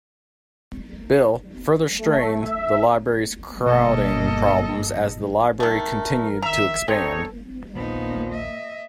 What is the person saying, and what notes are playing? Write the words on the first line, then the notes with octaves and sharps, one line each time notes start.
Bill, further strained the Library's crowding problems as the library continued to expand.
A3
E5
G1 B2 A#3 A4 D#5
D#3 A3 A#4
D#3 E5 A#5
C4 D#4 A4 C#5
A#1 D#2 A#2 F3 B3 D#4
D#5 E5